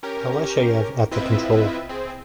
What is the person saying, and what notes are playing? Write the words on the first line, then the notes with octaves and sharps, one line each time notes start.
Alasheyev at the control.
C#4 G4 A#4
C4 E4 F4 B4 D#5 E5
C4 G#4